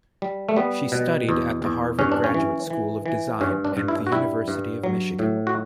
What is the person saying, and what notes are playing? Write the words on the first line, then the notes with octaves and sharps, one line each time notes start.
She studied at the Harvard Graduate School of Design and the University of Michigan.
G3
A3
G3 B3
B2
E2
E2
G2 C#4
D4
C#4
E3
E3
E3
G2 C#4
D4
G2
E4
F#4
G3 E4
G2
F#3
A2
F#4